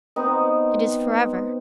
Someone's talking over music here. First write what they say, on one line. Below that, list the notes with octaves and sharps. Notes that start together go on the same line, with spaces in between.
It is for ever.
B3 C4 D#4